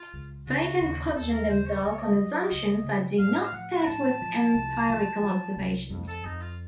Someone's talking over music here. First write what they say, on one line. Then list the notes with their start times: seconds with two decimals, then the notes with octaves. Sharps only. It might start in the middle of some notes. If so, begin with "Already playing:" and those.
They can question themselves on assumptions that do not fit with empirical observations.
Already playing: F4
0.13 C#2
0.47 C#3 F#4
0.81 D#2
1.15 D#2 A4
1.32 A#4
1.49 C#3 C5
1.67 C#5
1.83 C#2 D#5
1.90 C#5
1.99 D#5
2.17 F#3
2.51 C#2
2.85 C#3
3.19 A2 F5
3.37 D#5
3.44 F5
3.53 F3 F#5
3.82 A#5
3.87 A2 A5
4.21 F3
4.55 C2
4.89 F3
5.23 F3
5.56 C2
5.90 F2
6.08 A4
6.25 F2 D#4
6.41 F4